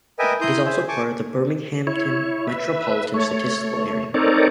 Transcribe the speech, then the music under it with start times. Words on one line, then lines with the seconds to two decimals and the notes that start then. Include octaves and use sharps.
It is also part of the Binghamton Metropolitan Statistical Area.
0.19 A#4 B4 D#5 E5 G5 G#5
0.41 E4 A#5 C6 D#6 G6
0.66 G#4 C5 E5
0.88 G#5 A5 C#6 D6
1.87 E4 C#5
2.47 B4 E5
3.14 A3 C#5
4.14 C4 D#4 A4 A#4 C#5 D5